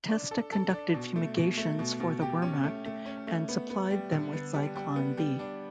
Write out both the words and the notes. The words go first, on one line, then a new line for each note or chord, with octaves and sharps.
Testa conducted fumigations for the Wehrmacht and supplied them with Zyklon B.
D4
A4
A4
D4
B2
A3
B2
A3
B2
B2
G4
C#4
A3
A3
C#4
A3
B3
B3
G3
D3
B3
G3
G3
B3
G3
D4